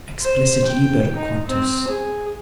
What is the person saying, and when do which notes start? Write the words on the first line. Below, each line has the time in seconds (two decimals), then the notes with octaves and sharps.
Explicit liber quartus.
0.22 C5
0.65 G5
1.16 D#4
1.47 C4
1.88 G#4